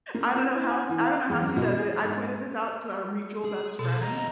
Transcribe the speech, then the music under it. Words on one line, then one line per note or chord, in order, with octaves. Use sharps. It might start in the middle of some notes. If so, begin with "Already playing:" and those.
I don't know how sh I don't know how she does it, I pointed this out to our mutual best friend,
A#3
C4
E4
G#5
E3
F5
E2
F#2
B2
G#4
G#2
G#4
B2 G#4 A4
E2 D#5 A#5